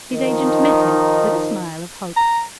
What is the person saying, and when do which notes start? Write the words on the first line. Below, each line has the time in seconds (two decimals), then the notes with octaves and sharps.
His agent met him with a smile of hope.
0.13 D#3 F3 D#4
2.16 A#5